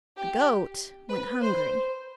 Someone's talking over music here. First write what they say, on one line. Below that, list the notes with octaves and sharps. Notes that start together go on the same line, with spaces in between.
The goat went hungry.
G4
B4
C5